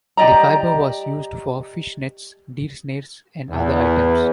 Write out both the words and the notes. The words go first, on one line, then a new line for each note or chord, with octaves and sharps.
The fiber was used for fish nets, deer snares and other items.
G4 D5 D#5 A#5
E2